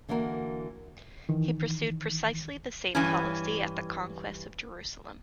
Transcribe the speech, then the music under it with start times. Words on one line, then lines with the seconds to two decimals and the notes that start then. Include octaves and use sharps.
He pursued precisely the same policy at the conquest of Jerusalem.
0.08 D3 E3 A#3 F#4 A#4
1.29 D#3 E3
2.95 G2 E3 C#4